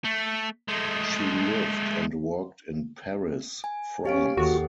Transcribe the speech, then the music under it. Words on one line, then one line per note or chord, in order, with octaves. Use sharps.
She lived and worked in Paris, France.
A3
G#3 A3
G#5
C#4 G4 F5 D7
D#2 F#4 G4 A4 F#5